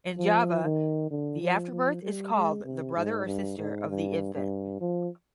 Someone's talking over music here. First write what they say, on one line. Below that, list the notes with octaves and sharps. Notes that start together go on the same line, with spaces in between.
In Java the afterbirth is called the brother or sister of the infant.
F3
D#3
D3
F3
F3
G3
G#3
C3
G#2
G2
G#2
G2
G2
F3